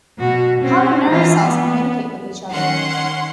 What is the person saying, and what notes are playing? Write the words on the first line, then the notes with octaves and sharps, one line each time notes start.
How do nerve cells communicate with each other?
B2 F#4
C4 C#4
E3 F4
B3
D#3 C#4 F#5 C6